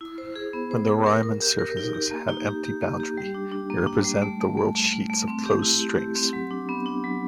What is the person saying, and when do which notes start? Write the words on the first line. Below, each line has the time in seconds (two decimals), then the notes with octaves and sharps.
When the Riemann surfaces have empty boundary, they represent the worldsheets of closed strings.
0.01 E4
0.18 C5
0.36 G#4
0.53 B3
0.71 C5
0.89 G#4
1.06 A#4
1.23 A#4
1.42 G4
1.59 A#4
1.77 D#4
1.95 G4
2.11 A#3
2.29 D#4
2.47 G4
2.65 G4
2.82 A#3
3.00 G4
3.18 G3
3.34 D4
3.51 D4
3.70 A#3
3.87 D4
4.04 G3
4.22 A3
4.41 A3
4.57 A3
4.75 A3
4.93 A3
5.10 A3
5.28 C4
5.46 G4
5.62 E4
5.81 G4
5.99 G4
6.15 C4
6.33 F#3
6.51 D4
6.69 B3
6.86 D4
7.04 F#3